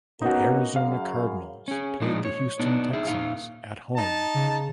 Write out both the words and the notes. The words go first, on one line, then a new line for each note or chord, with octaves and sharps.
The Arizona Cardinals played the Houston Texans at home.
A#3 B3 C#4 D#4 F#4
F#2 C#3 F5
C#4 G#4
A#2 F3 G#3 D4 D#4
C#5
B2 B3 D4 D#4
D#4 G#4 E5
A#2 D#4 F5
D#4 A5
C#3